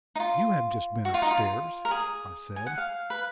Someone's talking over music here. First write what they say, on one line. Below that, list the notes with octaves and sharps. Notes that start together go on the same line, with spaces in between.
"You have just been up-stairs," I said.
D#4
F4
F#4
F4
D#4
F4
A#4
G#4
G#5
F#5
F5
B4